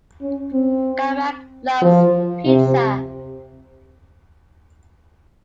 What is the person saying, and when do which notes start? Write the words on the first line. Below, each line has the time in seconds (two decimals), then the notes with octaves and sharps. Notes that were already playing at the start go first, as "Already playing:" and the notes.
Carmack loves pizza.
0.21 C#4
0.53 C4
1.82 F3
2.45 C3